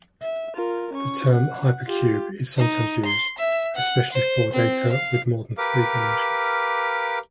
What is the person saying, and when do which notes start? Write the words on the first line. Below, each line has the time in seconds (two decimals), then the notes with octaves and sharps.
The term hypercube is sometimes used, especially for data with more than three dimensions.
0.22 E5
0.55 F4 A#4
0.93 C#4 C#6
1.33 F#5
1.86 F4 G4
2.58 D#4
3.06 C6
3.38 E5
3.76 F#5
4.12 C5
4.54 C4
4.93 F5
5.58 G4 A#4 B4 F5 D6